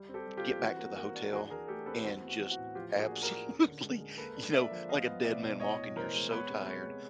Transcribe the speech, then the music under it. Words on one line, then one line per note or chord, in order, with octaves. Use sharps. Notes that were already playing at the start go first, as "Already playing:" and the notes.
get back to the hotel and just absolutely you know, like a dead man walking. You're so tired.
Already playing: G3
C4
G4 A4
G3
F4 G4
C4
E3 F#4
A#3
A#3 F#4
D4
E3 F#4 G#4
E3 G#4 A#4
A3 G4 A4
C4 A4 B4
E3 F#4
B3
F#4
E3
F#4
A2
F3 F4 G4
A#3
F#4 G#4
D4
G#4 A#4
D4
C#4
D3
G#3
G#3
A#3 A4 B4
D4
A#3 D5 E5
F3
B3 D#5 F5
B3
B2 D5 E5
B2
A2 C#5 D#5
A2
E3 A#4 C5
G#3
B3 B4 C#5
C3
G#3 B4 C#5
G#3